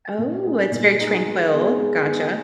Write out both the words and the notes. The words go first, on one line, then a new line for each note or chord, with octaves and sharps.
Oh, it's very tranquil, gotcha.
A#2
G#3 D#4 G#4
A#2
G#3 D#4 G#4
G#3
B3 D#4 G#4
G#3
B3 D#4 G#4